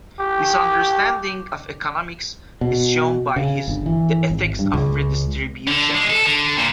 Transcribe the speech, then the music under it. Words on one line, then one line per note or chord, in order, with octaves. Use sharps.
This understanding of economics is shown by his "The Ethics of Redistribution".
G4
B2
C#3
G1
E3
G#1
G2
C#2
D3
G#3
A4
D3
A#2